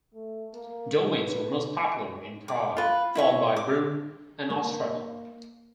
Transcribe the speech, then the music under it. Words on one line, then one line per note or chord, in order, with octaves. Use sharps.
Domains were most popular in Prague, followed by Brno and Ostrava.
A3
A#3
B4
D6
F4 B4
E4 C#5 C#6
D6
A#3